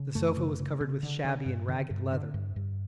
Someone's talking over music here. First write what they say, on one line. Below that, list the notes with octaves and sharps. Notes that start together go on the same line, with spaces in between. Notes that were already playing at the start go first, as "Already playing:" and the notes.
The sofa was covered with shabby and ragged leather.
Already playing: C#3
F#2 A3
C#3
C#3
C#3
D3
D3
G2
D3
G2
D3
G2
G2